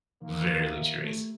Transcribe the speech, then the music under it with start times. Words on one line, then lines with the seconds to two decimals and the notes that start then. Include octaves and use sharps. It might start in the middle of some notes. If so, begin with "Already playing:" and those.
Very luxurious.
0.22 D#3 A#3
0.60 E4 G4 A#4
1.04 A3